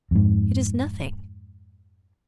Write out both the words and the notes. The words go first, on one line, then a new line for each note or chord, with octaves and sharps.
"It is nothing."
F2 G#2